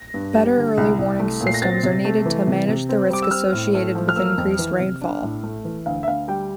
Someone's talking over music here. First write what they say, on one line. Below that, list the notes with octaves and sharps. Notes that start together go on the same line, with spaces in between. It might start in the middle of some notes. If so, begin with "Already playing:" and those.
Better early warning systems are needed to manage the risk associated with increased rainfall.
Already playing: A#6
G2
G3
D3
C2
C2
A3
A#2
C7
A#6
C4 A6
C3
A3
E3
C3
C3
C4
G3 D6
E6
C4 F6
A2
A3
F3
F6
A#3 E6
F2
E3
C3
D4
A2
A3
E3
D2 F5
E5
D2 F5
G3 G5